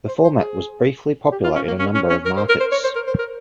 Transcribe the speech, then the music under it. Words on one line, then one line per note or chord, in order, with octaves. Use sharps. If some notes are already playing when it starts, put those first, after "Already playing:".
The format was briefly popular in a number of markets.
C5
C5
G#4
G4
F4
C#4
A#3
C#4
C#4
C#4
A#4
C5
A#4
C5
C#5
C5
A#4
C5
A#4